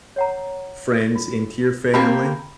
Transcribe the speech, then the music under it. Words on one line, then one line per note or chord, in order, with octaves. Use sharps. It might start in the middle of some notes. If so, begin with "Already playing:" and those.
friends into your family,
C#5 F#5 A#5
F4
A#3 C4 G4 B5